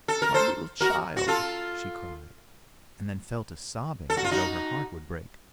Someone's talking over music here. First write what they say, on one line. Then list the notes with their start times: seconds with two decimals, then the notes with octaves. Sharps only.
"My little child," she cried, and then fell to sobbing as though her heart would break.
0.08 A4
0.22 A#4
0.34 A4 C5
0.81 F#4 A#4
1.17 F#4
1.28 F4 A4
4.10 A4
4.17 F#4
4.24 F4
4.31 D#4 F#4